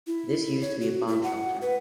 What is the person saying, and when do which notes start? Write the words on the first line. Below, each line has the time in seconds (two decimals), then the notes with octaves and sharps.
This used to be a bomb shelter.
0.07 E4
0.62 C#5
0.81 F#4
1.07 E4
1.23 F#5
1.62 B4